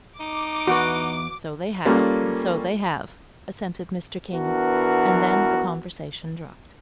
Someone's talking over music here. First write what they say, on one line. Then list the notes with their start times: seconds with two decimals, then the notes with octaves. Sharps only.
"So they have: so they have," assented Mr. King, and then the conversation dropped.
0.20 D#4 D6
0.67 E2 F#4 B4
1.85 G3 A#3 C#4 F4 A4
4.34 E3 B3 D4 F#4 A#4